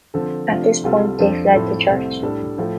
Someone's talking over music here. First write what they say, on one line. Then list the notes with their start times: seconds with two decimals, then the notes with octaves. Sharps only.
At this point they fled the church.
0.14 D3 F3 C4 A4
0.49 C3 F3 A3 D4 F4
0.83 C2 C3 G3 F4 A4
1.18 F2 F3 D4 A4
1.53 A2 F3 A3 C4 A4
1.88 C2 C3 A3 C4
2.23 A2 G3 D4 A4
2.58 A2 F3 A3 F4 A4